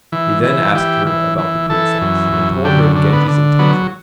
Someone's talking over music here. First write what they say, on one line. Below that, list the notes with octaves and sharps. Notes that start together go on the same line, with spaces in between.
He then asked her about the Princess, and told her of Genji's intention.
E3
E3
E3 G4
E3
E3
E3 A4
F#2
F#2
D3 G4
D3
B3
D3
F#3 B3